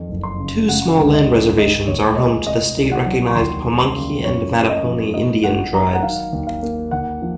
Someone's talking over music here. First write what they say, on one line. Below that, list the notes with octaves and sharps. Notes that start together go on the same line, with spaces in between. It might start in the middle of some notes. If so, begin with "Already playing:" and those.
Two small land reservations are home to the state-recognized Pamunkey and Mattaponi Indian tribes.
Already playing: F2 D#3
F#1
C6
C#3
C#3 F#5
C#2
D#5
G#3
D#3 D#5
D#2 C#5
G#3 D#5
C3 D#5
C2
F#5
F#3
C#6
D#2 C6
G#3
C6
C#3
F#2 C#5
A#3
D#5
F3
G#2 D#5
G#1 F#5
F#3 A#5
F#5
D#3 F5
D#2
F5
A#3
D#2 F#5
F3